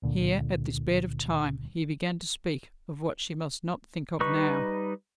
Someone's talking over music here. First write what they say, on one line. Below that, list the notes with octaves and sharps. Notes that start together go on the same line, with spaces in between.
Here, at this bed of thyme, he began to speak of what she must not think of now.
C#2 A#2 D3
G3 D#4 B4 C#6